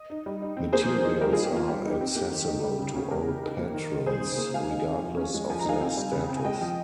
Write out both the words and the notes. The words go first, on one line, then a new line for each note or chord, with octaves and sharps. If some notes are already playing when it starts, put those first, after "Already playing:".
Materials are accessible to all patrons, regardless of their status.
Already playing: D#5
D#4
G3
D#4
C4
A#3 G#4 C5
F3
D#4
G3 G4 A#4
D#4 F4 G#4
G4
A#3 F4
G3 G4
D#4
G4
C4
A#3 G4
D#3
D#4
G3
C#3
C#4
G#3 G4 A#4
C#3
D#4
A#3
D#3
D#4
G3 G#4 C5
C#3
A#3
G#3 F5 G#5
D#4
C4
F3
C#4
G#3
F3 G#5
A#5
D#4 F5 G#5
C4
G3
C#3
C4
G#5
G#3 D#5 G5
F3